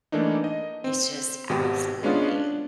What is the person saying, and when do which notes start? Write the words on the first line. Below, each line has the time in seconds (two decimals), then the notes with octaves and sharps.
It's just absolutely
0.12 E3 A3 A#3 D4 D#4
0.44 D#5
0.84 C4
1.49 G#1 B2 F#4 G4
2.03 G#3 B3 C#4 D4 F4
2.35 D4